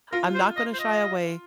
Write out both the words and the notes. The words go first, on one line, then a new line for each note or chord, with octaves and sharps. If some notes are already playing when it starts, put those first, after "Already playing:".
I'm not gonna shy away
F4 A#4
C5
D#5
C5
D#5